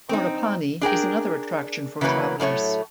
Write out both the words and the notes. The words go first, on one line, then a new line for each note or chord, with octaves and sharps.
Ghorepani is another attraction for travelers.
C4 D#4
D4 G#4 A#4 G5
C#3 E3 F#3 A#3 B4 C#5
A2 F#3 A3 C#5